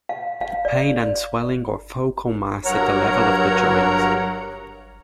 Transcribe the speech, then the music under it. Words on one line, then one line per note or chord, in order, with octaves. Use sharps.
Pain and swelling or focal mass at the level of the joint.
F5
F5
D5
G2 F#3 A#4 C#5 F#5 A#5